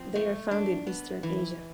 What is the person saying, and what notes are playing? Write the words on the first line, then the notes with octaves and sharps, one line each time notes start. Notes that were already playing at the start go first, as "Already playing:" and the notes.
They are found in eastern Asia.
Already playing: F3 C4
A3
D4
B3
E3